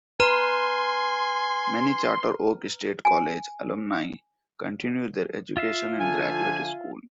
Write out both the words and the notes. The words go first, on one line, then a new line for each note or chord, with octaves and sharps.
Many Charter Oak State College alumni continue their education in graduate school.
B4 G#5 A#5 C6 F6 D#7
G#5
F4 E5 F5
D3 F3 G#5